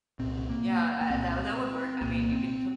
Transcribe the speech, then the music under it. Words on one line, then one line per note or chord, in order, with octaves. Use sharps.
Yeah, uh, that would that would work, I mean, you could,
C2 A#2 C4
A#3
A#3
C2 A#2 C4
C2 A#2 A#3
C4